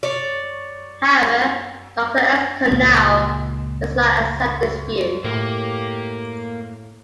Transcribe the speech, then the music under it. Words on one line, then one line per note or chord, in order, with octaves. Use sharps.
However, Doctor S Konow does not accept this view.
C#5 D5
C#2 A#2 A#3
A2 A#3 G4